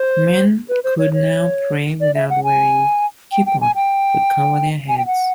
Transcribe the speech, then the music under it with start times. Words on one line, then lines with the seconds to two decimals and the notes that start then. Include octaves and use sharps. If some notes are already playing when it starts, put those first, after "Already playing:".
Men could now pray without wearing kippot to cover their heads.
Already playing: C5
0.69 B4
0.84 C5
0.99 C#5
1.13 C#5
2.01 D5
2.15 E5
2.30 F#5
2.44 G#5
3.32 G5
3.46 G5
3.61 G#5
3.76 G5
4.89 G#5
4.98 G5
5.06 F#5